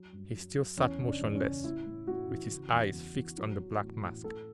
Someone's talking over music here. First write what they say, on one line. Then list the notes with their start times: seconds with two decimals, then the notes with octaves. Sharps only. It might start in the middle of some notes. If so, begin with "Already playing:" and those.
He still sat motionless, with his eyes fixed on the black mask.
Already playing: F#3
0.13 G2
0.34 F#3
0.56 F#3
0.77 E2 C#4
0.99 C#3
1.07 D4
1.21 E2
1.35 C#4
1.43 C#3
1.64 A2 E4
1.86 A2
2.07 A2 F#4
2.29 E3
2.51 C#3
2.72 E2
2.94 E2
3.15 E2
3.38 F#3
3.59 F#3
3.81 A2
4.02 A2
4.24 A2 A4